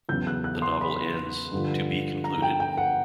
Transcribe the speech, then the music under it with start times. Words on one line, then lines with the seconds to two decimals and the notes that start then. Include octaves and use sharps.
The novel ends "To Be Concluded".
0.09 E2 C#3 F#3 G6
0.27 F#6
0.44 F#6
0.62 C6
0.81 B5
1.52 G2 D3 F3
2.24 A#5
2.42 G5
2.60 G5
2.77 F#5